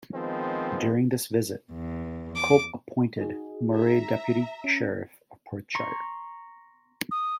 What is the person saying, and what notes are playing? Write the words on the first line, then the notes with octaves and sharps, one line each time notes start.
During this visit, Cope appointed Murray Deputy-Sheriff of Perthshire.
D#3 F3 G#3 B3 C4
E2
D6
D#4 F#4 G#4
E5 A#5
C#4
A#5 C6 C#6
D#6